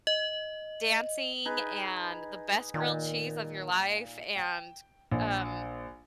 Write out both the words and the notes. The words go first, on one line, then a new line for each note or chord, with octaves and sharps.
dancing, and the best grilled cheese of your life, and, um,
D#5
D#4 G#4 B4
A#2 D#3
G5
A#1